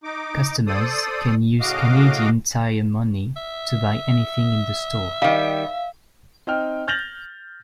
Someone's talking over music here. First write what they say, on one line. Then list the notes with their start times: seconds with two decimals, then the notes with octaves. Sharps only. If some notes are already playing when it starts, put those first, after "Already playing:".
Customers can use Canadian Tire Money to buy anything in the store.
0.04 D#4 D6
0.67 A4 C5 D5 D#6
1.60 A2 C#3 F#4 D#5 F5 D6
3.37 E5
5.22 D#3 G3 F5
6.47 C4 D#4 G5 F6
6.88 F6 G6 A6 A#6 F7 F#7